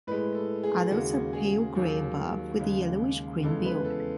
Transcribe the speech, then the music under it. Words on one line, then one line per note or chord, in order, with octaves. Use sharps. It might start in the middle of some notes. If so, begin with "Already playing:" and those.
Adults are pale grey above, with a yellowish-green bill.
A2 G#3 B4
A4
G#4
D#2 C#3 G#3 F#4
G#4
D#2 D#3 F#3
D#2 C#3 G#3
E2 C#3 G#3 A4
B4
A4